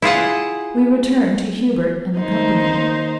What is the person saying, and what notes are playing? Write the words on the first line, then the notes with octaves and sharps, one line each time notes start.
We return to Hubert and the company.
E4 F4 G#4 F#5
D#2 D#4 C5